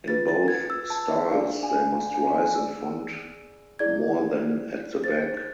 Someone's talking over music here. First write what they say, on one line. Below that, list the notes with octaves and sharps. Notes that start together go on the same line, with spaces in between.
In both styles, they must rise in front more than at the back.
F4 G#4 B4 A6
A6
G#6
E6
A5
E5
D4 G#4 D5 F5
G#5
G#5
G#5
G#4 D5 E6
E4 G#4 D5 G#6
G#4 C5 A6